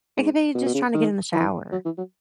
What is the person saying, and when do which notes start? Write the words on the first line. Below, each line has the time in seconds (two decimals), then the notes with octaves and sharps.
It could be just trying to get in the shower.
0.17 G#2
0.55 B2
0.66 B2
0.75 C#3
0.94 D#3
1.33 E3
1.72 F#3
1.85 E3
1.98 F#3